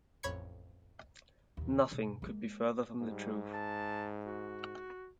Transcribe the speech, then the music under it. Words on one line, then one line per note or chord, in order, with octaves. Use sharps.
Nothing could be further from the truth.
A1 F2 C#5 B5 G#6 C#7
D#2 A#2
E2 B2
G#3 A#3
G#2 G3
A5
F#4